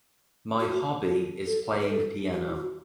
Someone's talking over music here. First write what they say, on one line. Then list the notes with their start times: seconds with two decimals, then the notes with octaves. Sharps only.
My hobby is playing piano.
0.60 F#4
1.03 F#4
1.46 A4
1.80 B4
1.89 A4
2.33 F#4
2.48 E4
2.54 F#4